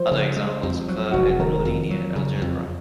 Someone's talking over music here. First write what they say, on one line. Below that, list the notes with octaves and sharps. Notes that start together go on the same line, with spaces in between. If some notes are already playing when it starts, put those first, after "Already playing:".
Other examples occur in linear algebra.
Already playing: F3 C5
C#3
G#3
F2
F#3
F1 F#4
G#4
D#3 A#4
F2
F#3
C#3
F2